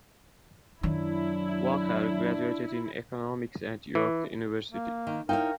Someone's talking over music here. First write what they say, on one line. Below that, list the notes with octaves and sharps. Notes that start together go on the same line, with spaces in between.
Walker graduated in Economics at York University.
F#2 D#3 F#3 D4 E4
E3
A#3
D#3
D#4 E4 A#4 C#5 F5 G5